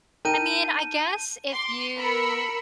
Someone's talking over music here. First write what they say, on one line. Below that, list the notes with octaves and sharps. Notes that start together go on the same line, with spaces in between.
I mean, I guess if you
D#4 A#4 G5 A5 G6 D#7
C6 D6
A#4 B5 E6 C#7